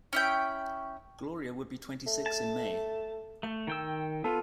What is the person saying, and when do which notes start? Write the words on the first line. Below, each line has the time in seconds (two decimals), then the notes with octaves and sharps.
Gloria would be twenty-six in May.
0.13 C#4 E4 G5
2.07 A3
2.26 A5
3.43 A3
3.67 D#3 G5 E6
4.24 B3 F4 A4